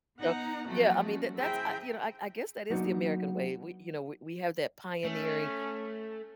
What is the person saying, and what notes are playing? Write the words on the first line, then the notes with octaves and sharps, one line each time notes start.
so Yeah, I mean, th that's I you know, I I guess that is the American way, we you know, we we have that pioneering
B3 D#4 F#5 A#5
F3 F#3 A3 A#3 C4 F#4
G3 C#4 F#4
E4 G#4 C5 E5 G5 A#5
F#3 A#3 B3 D4 D#4 F#4
A3 C#4